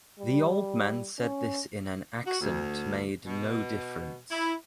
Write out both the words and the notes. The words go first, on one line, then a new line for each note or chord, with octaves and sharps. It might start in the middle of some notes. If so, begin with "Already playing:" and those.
The old man said this in an accent made no difference.
G3
C#4
F#4
D2
B2
E4